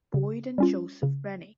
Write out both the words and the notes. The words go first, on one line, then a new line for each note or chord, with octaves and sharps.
Boyd, and Joseph Rennie.
C#3
G3 C#4 F4
C#3